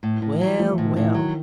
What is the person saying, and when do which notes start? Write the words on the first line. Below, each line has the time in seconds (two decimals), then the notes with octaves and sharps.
Well, well.
0.03 A2
0.22 A2
0.32 E3
0.41 F#3
0.59 F3 A3
0.73 E3
0.78 A2
0.85 D#3
0.96 A2 E3
1.14 D#3 F#3